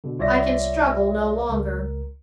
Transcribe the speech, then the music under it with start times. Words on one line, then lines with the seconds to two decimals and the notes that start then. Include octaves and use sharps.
I can struggle no longer.
0.04 B2 D3
0.19 C2 F4 C#5 D5 E5 A#6
1.49 C#2 A#4